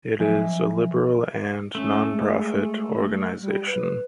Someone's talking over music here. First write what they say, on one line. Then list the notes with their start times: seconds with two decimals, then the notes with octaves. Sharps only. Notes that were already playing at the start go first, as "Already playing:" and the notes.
It is a liberal and non-profit organization.
0.20 F3 F#3 D#5 E5 G#5
1.75 A3 C#4
2.11 G#3
3.41 G3
3.67 B4